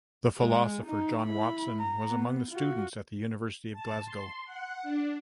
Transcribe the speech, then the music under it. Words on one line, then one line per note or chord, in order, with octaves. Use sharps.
The philosopher John Watson was among his students at the University of Glasgow.
G#3
D#4
E4 B5
A#5
B3
F4 F#4
A5
C6
F#5
D4